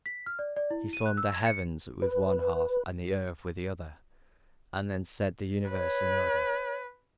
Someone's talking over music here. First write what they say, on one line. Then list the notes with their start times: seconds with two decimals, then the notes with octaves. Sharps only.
He formed the heavens with one half and the earth with the other, and then set the universe in order.
0.06 B6
0.26 F6
0.39 D5
0.56 D5
0.71 E4
0.93 D#7
1.06 F#6
1.17 E6
1.34 G#6
1.46 C#7
2.02 B4
5.71 B4 C#5